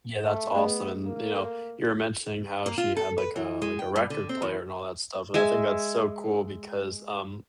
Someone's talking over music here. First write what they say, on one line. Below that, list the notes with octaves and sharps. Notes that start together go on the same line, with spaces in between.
Yeah, that's awesome, and, you know, you were mentioning how she had, like, a like, a record player and all that stuff, and I think that's so cool because, um,
A3
A3 B3 G#4 D#5
A#3
A4
A#3
F4
A4
B4
E3
G#3
G5
G2
D3
C4
E2
G#3 E5 G#5